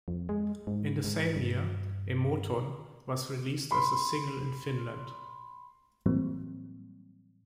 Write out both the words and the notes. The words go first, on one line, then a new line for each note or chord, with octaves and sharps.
In the same year, "Emoton" was released as a single in Finland.
F2
G#3
G#2
G#2
G2
B5 C6
A2 E3 F#3 G3 A#3 C4